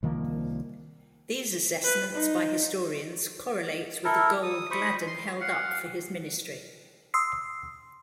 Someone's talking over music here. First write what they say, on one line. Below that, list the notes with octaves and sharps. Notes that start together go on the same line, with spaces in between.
These assessments by historians correlate with the goal Gladden held up for his ministry.
C2 D#3 F3 A#3
B4
D#4
E4 A4 A#4
D#6
C5 B5 C#6 D#6
C6
F5 F#5
C6 D#6 E6 C7